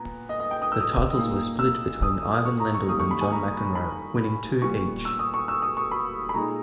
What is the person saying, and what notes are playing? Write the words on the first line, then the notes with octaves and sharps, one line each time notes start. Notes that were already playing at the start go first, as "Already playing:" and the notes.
The titles were split between Ivan Lendl and John McEnroe, winning two each.
Already playing: A#2 B3 A#5
D#5
D#5
G5
D#6
E6
D#6
A#2 A#3 D#4
E6
D#6
C#6
A#5
C#6
D#3 G3 A#3 D#6
C#6
B5
G#5
A#5
B5
A#2 G3 B3 C#6
E6
D#6
C#6
E6
D#6
C#6
B5
B5
A#2 G#3 D#4 A#5